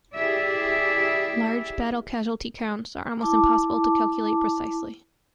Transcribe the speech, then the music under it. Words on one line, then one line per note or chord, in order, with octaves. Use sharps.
Large battle casualty counts are almost impossible to calculate precisely.
E4 G4 G#4 D5 E5
E4 A5 D6